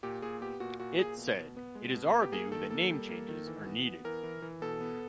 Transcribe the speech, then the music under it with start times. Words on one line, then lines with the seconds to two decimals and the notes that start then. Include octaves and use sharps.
It said: It is our view that name changes are needed.
0.03 A#2 G4
0.22 A#2 G#4
0.41 B3 G4
0.60 A#2 F#4
0.80 A#2 F#4
0.99 A#2 G#4
1.18 B2
1.37 B2
1.57 B3
1.75 G#3
1.94 B2
2.14 B3
2.22 G4
2.32 A#3 G#4
2.51 D#3 A4
2.70 A#3 A4
2.90 G3
3.09 A#3
3.29 D#3
3.47 E3
3.66 B3
3.85 B3
4.04 E3 A#4
4.23 E3
4.42 E3
4.62 B2 A4
4.81 B3